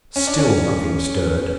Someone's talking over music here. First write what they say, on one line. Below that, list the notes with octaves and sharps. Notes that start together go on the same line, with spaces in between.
Still nothing stirred.
C#4
D4
C#4